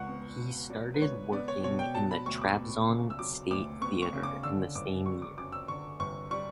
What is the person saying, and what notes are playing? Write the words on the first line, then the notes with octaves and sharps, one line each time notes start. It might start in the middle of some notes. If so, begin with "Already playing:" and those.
He started working in the Trabzon State Theater in the same year.
Already playing: C#2 F#5 C#6
B3
B2
F#3 D5
B4
C#2 C#5
B3 D5
C#5
B2 C#5
G5
F#3 A5
B5
D2 C#6
D6
B3
C#3
E6
F#3 D6
D2 D6
B3 C#6
C#6
C#3
D6
D3 E6
G1 D6
G3 C#6
D6
F#2 D6
E6
D3 C#6
G1 C#6
G3 C#6